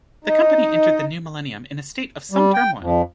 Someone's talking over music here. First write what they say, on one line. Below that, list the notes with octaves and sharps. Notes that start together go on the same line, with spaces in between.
The company entered the new millennium in a state of some turmoil.
D#4
G3
G5
F2